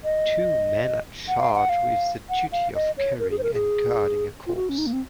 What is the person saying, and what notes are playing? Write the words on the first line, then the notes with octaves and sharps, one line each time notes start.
Two men are charged with the duty of carrying and guarding a corpse.
D#5
F#5
F5
F#5
F5
F#5
F5
D#5
C#5
A#4
G#4
C5
A#4
G#4
F4
F#4
C#4
D#4
A#3
C4